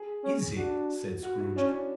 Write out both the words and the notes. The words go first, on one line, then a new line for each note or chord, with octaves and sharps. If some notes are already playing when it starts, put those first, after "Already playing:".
"Is it?" said Scrooge.
Already playing: G#4
C#4
D4 F#4
F#4
E4
C#4 D4
C#4